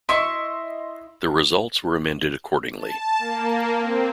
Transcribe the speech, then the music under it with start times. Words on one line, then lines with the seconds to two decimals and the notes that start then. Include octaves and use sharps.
The results were amended accordingly.
0.09 E4 D#5 E5 C6 C#6
2.77 A5
3.19 A#3
3.75 C4